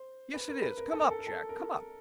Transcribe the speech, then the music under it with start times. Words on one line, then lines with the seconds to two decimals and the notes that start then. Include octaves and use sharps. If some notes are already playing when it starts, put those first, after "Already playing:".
Yes, it is. Come up, Jack; come up.'
Already playing: C5
0.34 B4
0.48 A#4
0.62 B4
0.77 A#4
0.92 A4
1.00 A#4
1.10 A4
1.19 A#4
1.27 A4
1.49 A#4